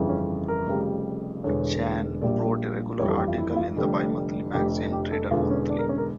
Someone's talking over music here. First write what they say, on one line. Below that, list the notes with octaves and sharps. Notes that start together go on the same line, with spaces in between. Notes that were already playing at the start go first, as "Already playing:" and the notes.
Chan wrote a regular article in the bi-monthly magazine "Trader Monthly".
Already playing: G1 F2 C#3 E3
C#4
A#4
F1 F2 C#3 G3
E1 E2 D3 C#5
A#1 A#2 G3 D5
G1 F2 E3 G3 C#5
A4
G4
F4
E4
E4
F4
F1 F2 D3 G3
F1 F2 D3 G4
G4
A4
E1 E2 D3 F4
C#4
D4
A#4
C#4
A#4